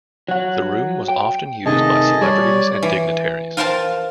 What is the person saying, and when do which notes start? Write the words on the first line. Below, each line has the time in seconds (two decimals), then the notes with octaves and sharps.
The room was often used by celebrities and dignitaries.
0.28 F#3 F#5
1.08 G5
1.66 C3 D#3 A3 G#4 D#5 A5
2.21 G3 C#5 D5
2.83 E3
3.57 F4 A#4 C5 F5 G5 A5